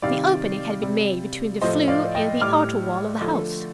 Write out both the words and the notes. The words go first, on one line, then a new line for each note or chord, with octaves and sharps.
The opening had been made between the flue and the outer wall of the house.
C3 D#3 G3 D5 F5
C3 G3
A2 F3 A3 C5 D#5
D5 F5
D#5 G5
A2 G3 D6 F6
D3 F3 A3